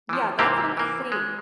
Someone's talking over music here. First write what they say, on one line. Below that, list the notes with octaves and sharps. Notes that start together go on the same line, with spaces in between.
Yeah. That's insane.
E3 F3
G#2 C3 E3 A#3 C4 G4
E3 A#3
G#3